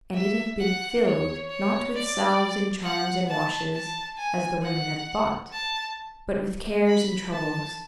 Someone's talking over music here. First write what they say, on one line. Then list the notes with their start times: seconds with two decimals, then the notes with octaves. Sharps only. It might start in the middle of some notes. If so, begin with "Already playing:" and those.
And it had been filled, not with salves and charms and washes, as the women had thought, but with Cares and Troubles.
0.14 E5
0.59 F#5
1.04 C#5
1.49 C#5
1.93 D5
2.83 F#5
3.28 A5
3.73 A5
4.17 G#5
4.62 F#5
5.52 A5
6.86 B5
7.32 A5